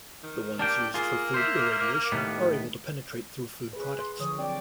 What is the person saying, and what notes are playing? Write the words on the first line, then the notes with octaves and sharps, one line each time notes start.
The ones used for food irradiation are able to penetrate through food products.
D#3
A#3 D4 G4 G5
A#3 F4 G#4
C5 E5
D#2 A2 B3
G#4 B4
C6
D3 F3 C#5 D#6
F#3 C4 D5 G5